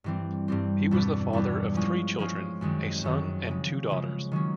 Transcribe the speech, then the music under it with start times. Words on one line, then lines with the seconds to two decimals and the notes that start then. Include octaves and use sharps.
He was the father of three children, a son and two daughters.
0.04 G2 E3 G3 C4
0.48 G2 E3 G3 C4
0.91 E2 B2 G3 B3 D4
1.33 E2 B2 G3 B3 D4
1.75 F3 G#3 C#4 F4
2.19 F3 G#3 C#4 F4
2.61 F#2 D#3 G#3 C4
3.04 F#2 D#3 G#3 C4
3.47 C#3 F3 G#3
3.90 C#3 F3 G#3
4.32 D#3 F#3 A#3 C#4